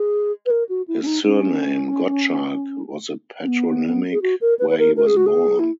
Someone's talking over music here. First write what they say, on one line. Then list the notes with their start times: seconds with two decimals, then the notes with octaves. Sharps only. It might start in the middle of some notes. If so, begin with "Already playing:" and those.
His surname, Gottschalk, was a patronymic where he was born.
Already playing: G#4
0.46 B4
0.50 A#4
0.69 F#4
0.88 E4
1.02 C#4
1.06 D#4
1.25 C#4
3.44 C#4
3.48 B3
4.12 G#4
4.22 F#4
4.41 A#4
4.59 B4
4.70 B4
4.78 A#4
4.97 A#4
5.07 G#4
5.17 F#4
5.26 G#4
5.59 E4